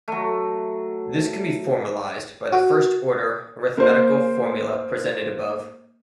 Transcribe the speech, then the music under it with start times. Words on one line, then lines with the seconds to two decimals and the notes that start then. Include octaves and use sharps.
This can be formalized by the first-order arithmetical formula presented above.
0.08 F#3 A3
2.52 F#4
3.77 A#3 C5